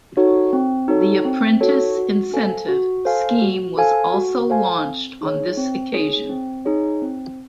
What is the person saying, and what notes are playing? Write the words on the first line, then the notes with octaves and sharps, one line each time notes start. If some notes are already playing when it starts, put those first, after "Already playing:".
The Apprentice Incentive Scheme was also launched on this occasion.
D#4 F#4 A4 C#5
C4
D#4 F#4 A4 C#5
C4
D#4 F#4 A4 C#5
F#4
A4 C5 F5 G#5
F#4
A4 C5 F5 G#5
F#4
A4 C5 F5 G#5
F#4
A4 C5 F5 G#5
C4
D#4 G#4 C#5
C4
D#4 G#4 C#5
C4
D#4 G#4 C#5
C4